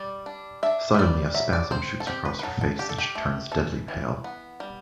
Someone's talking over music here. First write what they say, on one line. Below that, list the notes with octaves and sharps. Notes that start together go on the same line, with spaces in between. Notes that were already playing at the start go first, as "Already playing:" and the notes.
Suddenly a spasm shoots across her face and she turns deadly pale.
Already playing: G3 D5
D4
D4 E5
E5
G3 D5
F#3 E5
D5
C4 C5
A4
C4 G4
B4
B4
F#3 A4
A4
D4 G4
A4
G4
A3
E3 A4
E3
B3
G3